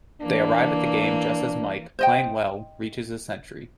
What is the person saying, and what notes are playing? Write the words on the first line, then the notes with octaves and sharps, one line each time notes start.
They arrive at the game just as Mike, playing well, reaches his century.
E3 A#3 D4
C5 D#5 G5